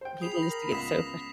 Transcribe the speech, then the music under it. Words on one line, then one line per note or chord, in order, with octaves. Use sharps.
People used to get so frust
C5 G5
G#4 B5 D#6 C7 F7
A#4 A#6
C#2 B3 D#6 B6 E7